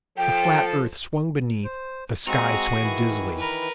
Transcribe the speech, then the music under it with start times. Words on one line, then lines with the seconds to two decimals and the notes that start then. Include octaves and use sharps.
The flat earth swung beneath, the sky swam dizzily.
0.18 F3 A4 G5
1.64 C5
2.27 G#3 C4 F#4 G#4 A#5
2.83 D#3 E3 E4
3.38 A#4 B4